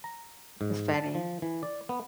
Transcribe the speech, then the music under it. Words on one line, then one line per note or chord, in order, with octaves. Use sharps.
it's funny.
A#5
G#2
A5
F3
E3
D5
B3